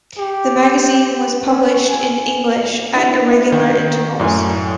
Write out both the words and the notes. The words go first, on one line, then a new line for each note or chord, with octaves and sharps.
The magazine was published in English at irregular intervals.
G4
C#4
G#5
D4 E4 G4
D#3
F#2 A2 D5 F5 G#5